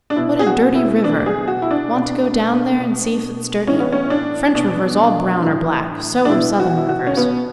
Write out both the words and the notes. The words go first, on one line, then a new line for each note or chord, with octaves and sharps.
What a dirty river--want to go down there and see if it's dirty--French rivers all brown or black, so were Southern rivers.
D4
B2 E4
G#4
F#4
E4
B2 D4
G#4
F#4
E4
D4
B2
B2
A2 E3 C#4
B3
C#4
D4
B2 D4
A2 E3
D4
B2 E4
F#4
E4
F#4
C#4
B2 B3